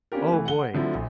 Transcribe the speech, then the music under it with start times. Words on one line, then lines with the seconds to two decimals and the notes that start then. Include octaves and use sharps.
oh, boy,
0.12 B3 C#4 D4 F4 G4 A#4
0.32 E3 A3
0.45 F#5 G7
0.74 D3 F3 F#3 A3 C4 E4
0.94 A#1